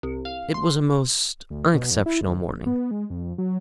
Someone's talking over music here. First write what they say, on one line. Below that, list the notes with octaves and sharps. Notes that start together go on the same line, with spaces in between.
It was a most unexceptional morning.
C2
F5
C6
D2
B2
F2
E4
D2
A#1
B3
G#3
F2
F2
F#3